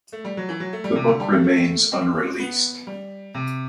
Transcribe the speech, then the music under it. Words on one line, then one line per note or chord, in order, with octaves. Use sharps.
The book remains unreleased.
A3
G3
F#3
E3
F#3
A3
G3
C3
D3
G3
A3
A3
C4
B3
G3
C3